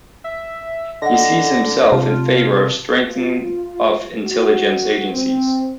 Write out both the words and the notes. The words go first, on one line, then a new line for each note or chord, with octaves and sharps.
He sees himself in favour of strengthening of intelligence agencies.
E5
D3 D#5 F#5 A#6
C3 F4 A5
F4
F#4
C4